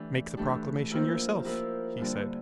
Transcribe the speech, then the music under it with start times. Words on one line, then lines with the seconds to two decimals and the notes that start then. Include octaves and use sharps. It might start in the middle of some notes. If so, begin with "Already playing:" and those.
Make the proclamation yourself, he said.
Already playing: E3 A3 D4 G4
0.37 E3 A3 D4 G4
0.91 F3 A#3 E4 G4 A#4
1.44 F3 A#3 E4 G4 A#4
1.98 D3 G3 A#3 D4